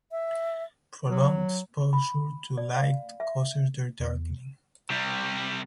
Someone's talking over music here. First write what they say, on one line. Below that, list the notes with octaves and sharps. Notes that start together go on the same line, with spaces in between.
Prolonged exposure to light causes their darkening.
E5
F#3
B5
D5
F5
E5
E2
C3 G3